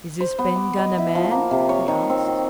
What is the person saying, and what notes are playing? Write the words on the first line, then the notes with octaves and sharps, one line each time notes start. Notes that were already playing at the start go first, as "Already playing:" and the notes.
"Is this Ben Gunn a man?" he asked.
C5
B3
D6
D#5
E4
F3
A#3
C3
C#5
D#3
C4
F#4